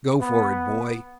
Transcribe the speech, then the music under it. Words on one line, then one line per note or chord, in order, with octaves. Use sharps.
Go for it, boy.
B3